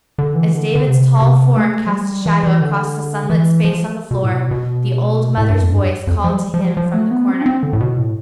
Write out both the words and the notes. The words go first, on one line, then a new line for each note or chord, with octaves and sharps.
As David's tall form cast a shadow across the sunlit space on the floor, the old mother's voice called to him from the corner.
D3
E3
D3
D3
C3
C3
A3
F3
G3
E3
E3
D3
E3
F3
B2
A2
B2
B2
A2
G2
F2
G2
F2
F3
G3
F3
G3
F3
F3
A3
B3
C4
D4
C4
D3
A2
B2
A2